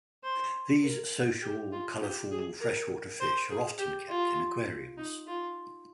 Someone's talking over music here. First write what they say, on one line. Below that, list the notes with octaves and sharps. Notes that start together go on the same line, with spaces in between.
These social, colorful freshwater fish are often kept in aquariums.
C5
A#4
G4
F4
G4
G#4
A#4
C5
G#4
G4
F4
D#4
F4